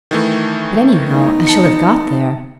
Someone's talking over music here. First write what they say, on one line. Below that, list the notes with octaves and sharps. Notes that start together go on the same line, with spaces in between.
But, anyhow, I shall have got there.'
D#3 E3 A3
B3 D#4
A5 C#7